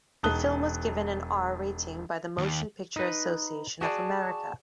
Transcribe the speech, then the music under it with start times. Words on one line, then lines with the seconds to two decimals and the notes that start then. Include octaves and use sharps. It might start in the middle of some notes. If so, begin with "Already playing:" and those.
The film was given an "R" rating by the Motion Picture Association of America.
0.23 E1 D#4 A5 D#6 F#6 G7
2.38 D#2
2.96 D#4 B4
3.81 F#4 G#4 D5 A5